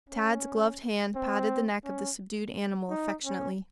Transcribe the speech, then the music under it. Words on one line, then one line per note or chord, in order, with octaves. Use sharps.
Tad's gloved hand patted the neck of the subdued animal affectionately.
C#4
C4
C#4
D#4
C#4